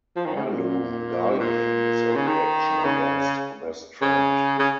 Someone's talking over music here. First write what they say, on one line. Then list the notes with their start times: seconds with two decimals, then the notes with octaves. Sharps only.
Heirloom gardening is a reaction against this trend.
0.16 F3
0.26 D#3
0.35 C#3
0.44 C3
0.53 A#2
1.30 C3
1.39 A#2
2.16 C#3
2.27 D#3
2.84 C#3
4.01 C#3
4.59 C#3